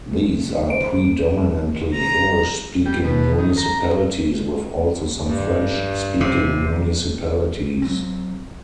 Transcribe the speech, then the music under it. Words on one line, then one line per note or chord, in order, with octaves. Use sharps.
These are predominantly English-speaking municipalities, with also some French-speaking municipalities.
C5 D7
A#5
G3
B2
D#3
A#5
G2
C3
F#3 C4